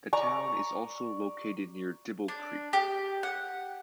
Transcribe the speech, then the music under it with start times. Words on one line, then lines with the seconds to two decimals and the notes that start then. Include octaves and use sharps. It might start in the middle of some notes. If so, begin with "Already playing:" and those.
The town is also located near Dibble Creek.
0.13 D5 A#5 C#6
2.28 D4
2.73 G4
3.23 F#5